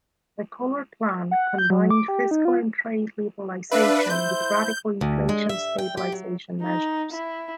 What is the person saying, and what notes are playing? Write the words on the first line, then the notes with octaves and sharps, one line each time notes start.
The Collor plan combined fiscal and trade liberalization with radical inflation stabilization measures.
F#5
G6
F#3
D6
G4
D#4
F4
D4 B4 E5 F5
E4 C5 G6
D2
G#3
E5
G5
G4
F#3
D#4
E4